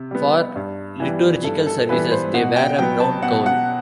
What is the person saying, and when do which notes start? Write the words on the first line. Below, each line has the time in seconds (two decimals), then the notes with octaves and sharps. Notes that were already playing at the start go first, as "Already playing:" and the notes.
For liturgical services, they wear a brown cowl.
Already playing: C3
0.11 G3 B3
0.56 G2
1.00 E3 G3 B3
1.44 G2 A4
1.66 A4
1.89 E3 G3 B3 B4
2.11 C5
2.34 B2 F#5
2.56 G5
2.79 F#3 B3 G5
3.00 A5
3.22 B2 F#5
3.46 F#5